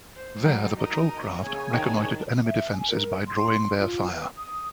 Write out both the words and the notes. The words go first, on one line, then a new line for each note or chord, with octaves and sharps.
There, the patrol craft reconnoitered enemy defenses by drawing their fire.
C5
D3 F#3 G3 A3
D#4 A#4 D#5 A#5
C#3 A#3 C#5 G#5
F2 A#2 D#3 D4
E5
G#5
A#4
C6
F4
B4
D#6